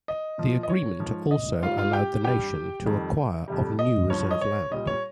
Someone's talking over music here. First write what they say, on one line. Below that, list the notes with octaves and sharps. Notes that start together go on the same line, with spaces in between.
The agreement also allowed the Nation to acquire of new reserve land.
D#5
A#2 F3
D#5
C#5
G#2 F3
D#5
G#2 G3 F4 F5
F4 F5
G4 G5
G2 G3 G4 G5
F2 D#3 G3
F2 C3 G3
D#5
G2 F3 C#5
D#5
C#5
A#2 G3 D#5
C#5